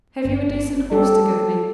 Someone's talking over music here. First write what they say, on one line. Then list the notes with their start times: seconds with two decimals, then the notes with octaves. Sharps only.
'Have you a decent horse to give me?
0.24 G1
0.92 G3 G4 A4